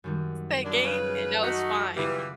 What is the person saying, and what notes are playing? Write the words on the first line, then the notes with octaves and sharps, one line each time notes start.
That game, and that was fine.
F#2 D#3 G3
F#2 D4
C#3 B4 D#6 F#6
A3 D#4 F#4 F#5 C#6
C#3 E3 G3 B3 F4